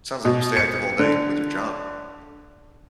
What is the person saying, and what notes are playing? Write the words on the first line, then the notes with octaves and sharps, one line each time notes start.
it sounds like you stay active all day with your job.
B2
C#7
D3